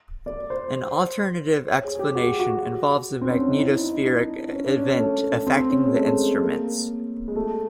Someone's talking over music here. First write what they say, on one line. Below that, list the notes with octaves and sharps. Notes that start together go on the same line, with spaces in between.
An alternative explanation involves a magnetospheric event affecting the instruments.
D5
C5
C#5
G#4
G#4
G4
F#4
F#4
C4
C#4
D4
D#4
E4
D#4
D#4
D#4
D4
C#4
D4
C#4
A3
C4
C#4
G#3
A3
G#3
A#3
G#3
A3